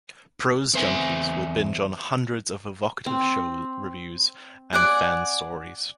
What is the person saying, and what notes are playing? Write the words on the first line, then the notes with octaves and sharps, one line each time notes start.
Prose junkies will binge on hundreds of evocative show reviews and fan stories.
E2 C4 B4 C5 E5 G#5
C4
D5 F#5 G#5